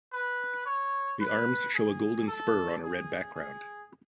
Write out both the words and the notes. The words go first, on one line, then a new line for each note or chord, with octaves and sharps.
The arms show a golden spur on a red background.
B4
C#5
B4
G#4
A4
G#4
G#4